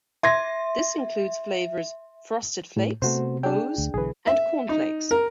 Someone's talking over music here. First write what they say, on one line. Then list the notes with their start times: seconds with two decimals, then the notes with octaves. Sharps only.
This includes flavors Frosted Flakes, O's, and Corn Flakes.
0.23 E5 C6 G#6 A#6
2.77 A2
3.02 C3 A3 B3 F#4 C5
3.43 D4 G#4 G5
3.78 D2
3.94 B1 D3 E3 G#4 B4
4.27 E5
4.69 D#4
5.11 A#4